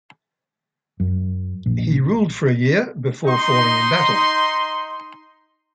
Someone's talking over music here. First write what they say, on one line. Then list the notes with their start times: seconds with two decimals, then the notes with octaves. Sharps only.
He ruled for a year, before falling in battle.
1.00 F#2
1.66 A#1
3.27 D#4 C6